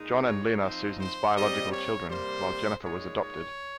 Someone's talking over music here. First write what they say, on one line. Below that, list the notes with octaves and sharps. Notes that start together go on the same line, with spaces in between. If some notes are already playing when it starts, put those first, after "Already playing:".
John and Lynn are Susan's biological children, while Jennifer was adopted.
Already playing: A#2 G#3 D#4
C#5
F3 C4 D#4 C5
C5
A#2 G3 C4 D#5
C#5
C3 G3 A#3 C5
A#2 G#3 D#4 C#5
C#5